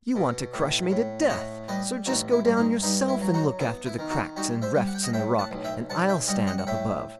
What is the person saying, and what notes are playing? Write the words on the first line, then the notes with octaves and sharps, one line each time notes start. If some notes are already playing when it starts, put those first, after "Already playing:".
You want to crush me to death; so just go down yourself and look after the cracks and refts in the rock, and I'll stand up above.'
B2
A2
A2
A2 D#5 F#5
G3 B4 D#5
A1 D#4 F#4
E4
G2
D#4
G2 D#4
E4
F#3
D#4 F#4
B3 E4
E4
D#3
D#4 F#4
G3 D#4 F#4
C5 E5
G3
F#5
G5
D#5 F#5
A2 E5 G5
F#5 A5
B1
E5 G5
B1 F#5 A5
E5 G5
G3 D#5 F#5
D#5 F#5
F#5
A2 E5 G5